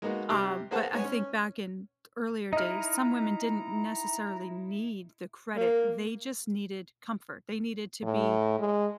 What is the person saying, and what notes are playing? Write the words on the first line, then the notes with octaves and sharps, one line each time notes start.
Um, but, I think, back in earlier days, some women didn't necessarily need the credit- they just needed comfort. They needed to be
G#3 A#3 B3 D#4 F#4
C3 G3 C6 D6 F#6
A#3 B3 G#4 C5 F#5 A5
G#3 B3 C#5 G#5
C#4
D#4 E4 D#5 A#5 F6
A#3
A2
G#3